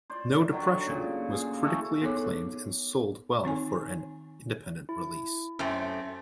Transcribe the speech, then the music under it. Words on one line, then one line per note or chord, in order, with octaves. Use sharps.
"No Depression" was critically acclaimed and sold well for an independent release.
C5 D5
D3 D#3 F#3
A#2 C#3
G#4 F5
E3 A3 A4 D#5
B3 D#4 G#4 A4 C#5 D6
D#3 C4 D#4 G#5
E4
F#2 A3 C4 C#4